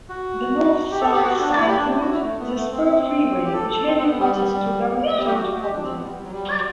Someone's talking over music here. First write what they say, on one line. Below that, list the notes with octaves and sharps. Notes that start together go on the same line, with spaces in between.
The north-south signed route is a spur freeway which mainly passes through government-owned properties.
F#4
G4
A4
G4
F#4
D4
E4
G4
D4
E4
F#4
E4
A3
B3
A3
C4
G4
A4
A4
C4
C4
B3
G3
G3
G3
G4
F#4
G4
D4
C4
B3
G3
G3
F#3
G3
F#3